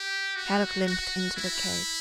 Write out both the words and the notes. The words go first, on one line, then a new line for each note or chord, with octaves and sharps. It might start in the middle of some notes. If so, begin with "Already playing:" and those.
Kadok limped into the cave.
Already playing: G4
F#4
F#4
E4